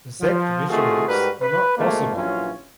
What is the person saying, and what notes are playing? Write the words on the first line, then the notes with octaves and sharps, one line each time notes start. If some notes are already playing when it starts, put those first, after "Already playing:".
Exact measurements are not possible.
F3
C3 D#3 A3 F4 F#4 G#4
G#2 G3 F#4 G4 A#4 B4
B4
G#1 F2 G#2 A3 A#3
A#1 E3 F#3 C#4 F4